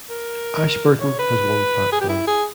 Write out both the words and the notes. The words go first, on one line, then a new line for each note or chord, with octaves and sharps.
Ashburton has one platform.
A#4
C#5
B4
G#4
G4
E4
G#4